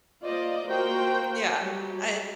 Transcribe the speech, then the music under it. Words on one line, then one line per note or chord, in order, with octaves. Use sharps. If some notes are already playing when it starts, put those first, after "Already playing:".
Yeah. I'd
A#3 F4 C5 D5 D#5
A#3 F#4 A#4 C5 G5
F#3 G3 G4